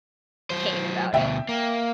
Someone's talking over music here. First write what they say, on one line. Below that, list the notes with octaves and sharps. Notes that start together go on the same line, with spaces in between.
pain about it.
F#3 C5
D2 B2 E5 G5
A#3